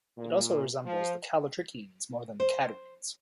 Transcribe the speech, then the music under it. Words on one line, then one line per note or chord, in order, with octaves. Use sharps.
It also resembles the callitrichines more than the catarrhines.
A#2
F3
C5